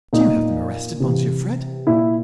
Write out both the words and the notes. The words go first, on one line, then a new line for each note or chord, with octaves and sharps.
"Did you have them arrested, Monsieur Fred?"
A#2 D#4
C3 E3
A#2 E4